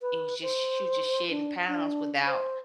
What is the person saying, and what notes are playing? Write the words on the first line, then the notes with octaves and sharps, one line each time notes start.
it was just she was just shedding pounds without
B4
C5
D4
D4
C5